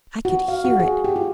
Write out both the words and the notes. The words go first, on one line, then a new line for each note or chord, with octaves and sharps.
I could hear it.
F#4
F5
F#4
G#4
G4
F4